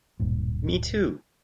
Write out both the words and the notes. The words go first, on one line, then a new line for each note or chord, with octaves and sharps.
Me too!
D1 G2 A#2